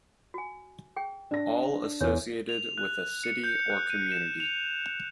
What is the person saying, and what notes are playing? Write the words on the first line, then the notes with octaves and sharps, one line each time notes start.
All associated with a city or community.
F#4 G#5
G#4 G5
D4 A#6
E2 C#5
F7
F#6
C#7
G6
F#6
D#7
E7
F7